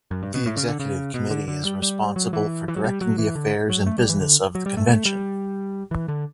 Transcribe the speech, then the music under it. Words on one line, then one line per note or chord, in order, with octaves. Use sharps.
The executive committee is responsible for directing the affairs and business of the convention.
F#2
G2
B2
A2
C#3
D3
C#3
B2
D3
D3
G3
G3
F#3
E3
E3
F#3
G3
F#3
E3
D3
F#3
A3
G3
E3
D3
F#3
G3
A3
A3
G3
E3
D3